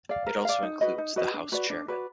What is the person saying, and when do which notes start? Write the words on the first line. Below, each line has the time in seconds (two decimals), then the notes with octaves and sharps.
It also includes the House Chairman.
0.09 D5 F5
0.27 A#4
0.45 D5 F5
0.63 D#4
0.81 F#4 B4 D#5
0.98 D#4
1.16 F#4 B4 D#5
1.34 D4
1.52 F#4 B4 D5
1.70 D4
1.88 F#4 B4 D5